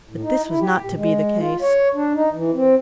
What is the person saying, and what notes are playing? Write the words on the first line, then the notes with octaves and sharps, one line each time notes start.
But this was not to be the case.
A2
D#4
E4
G4
A#2
G#3
F4
C#5
D4
D#4
E3
C4